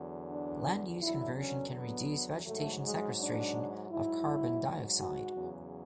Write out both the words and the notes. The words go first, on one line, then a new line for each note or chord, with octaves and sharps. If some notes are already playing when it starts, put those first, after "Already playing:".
Land use conversion can reduce vegetation sequestration of carbon dioxide.
Already playing: E2 D3 F#3
D4
E2 D3 F#3 E4
C#4
B3
G#2 F#3 A3
G#3
D4
G#2 F#3 E4
F#4
E2 C#3 F#3